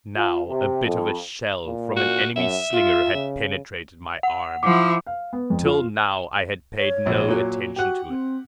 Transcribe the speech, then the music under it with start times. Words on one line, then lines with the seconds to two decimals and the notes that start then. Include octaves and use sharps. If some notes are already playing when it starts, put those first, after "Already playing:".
Now, a bit of a shell, from an enemy slinger, had penetrated my arm. Till now, I had paid no attention to it.
0.16 F4
0.49 C3
0.84 F2
1.66 A#2
1.96 F#4
2.37 F#2 E5
2.73 F4
3.15 C#3
4.23 F#5
4.63 F3 E4 D6
5.06 F5
5.33 B3
5.50 F2
5.65 F4
6.77 C#5
7.06 A#1 F#2
7.28 A#2 F#3
7.76 F#4 G4 F#5
8.09 C4